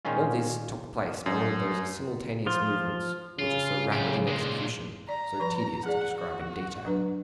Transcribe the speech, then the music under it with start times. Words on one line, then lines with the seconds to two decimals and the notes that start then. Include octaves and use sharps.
All this took place by one of those simultaneous movements which are so rapid in execution, so tedious to describe in detail.
0.05 A#2 D#3 G#3 C#4 F4
1.26 F#2
2.46 F3 F4 C5
3.39 C#3 F4
3.92 F#2 G4
4.27 A#2 G#3
5.09 D5 A#5
5.40 F3 B4 B5
5.86 G#4 D5 F#5
6.18 F#4
6.85 F#3 D4 B4